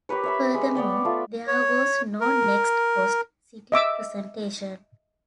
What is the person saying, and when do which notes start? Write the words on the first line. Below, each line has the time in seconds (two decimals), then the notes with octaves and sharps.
Furthermore, there was no next host city presentation.
0.09 G4 A#4 B4 C#5
0.24 C#5 E5 B5
0.54 G#3
0.75 B3 C#5 D5 G5
1.05 A3 F4
1.47 C#5
2.20 A#4
3.72 D#5 E5 D6 E6